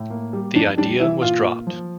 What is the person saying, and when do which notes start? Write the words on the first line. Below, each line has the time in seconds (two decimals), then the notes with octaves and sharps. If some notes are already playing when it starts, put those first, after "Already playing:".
The idea was dropped.
Already playing: A2
0.10 A#3
0.33 G3
0.55 F2 D4
0.78 G3 D4
1.00 E3 E4
1.22 A#2 F4
1.45 A#3
1.67 F3